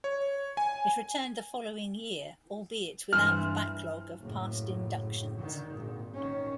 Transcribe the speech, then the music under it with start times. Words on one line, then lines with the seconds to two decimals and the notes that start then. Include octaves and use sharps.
It returned the following year, albeit without the backlog of past inductions.
0.04 C#5
0.57 G#5
3.13 G2 E3 C5 F6
4.21 F#1 A2
5.40 D3 D#3
5.75 G#1 A#2
6.14 D#3 C#4